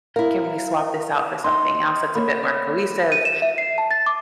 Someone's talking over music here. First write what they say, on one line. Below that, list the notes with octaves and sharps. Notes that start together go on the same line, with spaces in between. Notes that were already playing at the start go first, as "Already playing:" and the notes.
Can we swap this out for something else that's a bit more cohesive?"
E4 A#4 F5
D#4 C6
A#3 C#5 B5
D#7
E7
E5
C7
A5
A6
D6